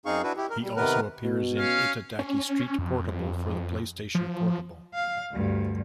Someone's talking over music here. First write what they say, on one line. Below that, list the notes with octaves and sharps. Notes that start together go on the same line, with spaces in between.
He also appears in "Itadaki Street Portable" for the PlayStation Portable.
F#2 C4 D#4 G#4 F5 C#6
D4 E4 F#4 B4
E4 G4
A#4
G3
C3 D#3 B3 A#4 B4
B2
C#4 F5
C#4
F2
F3
F5
D2 G2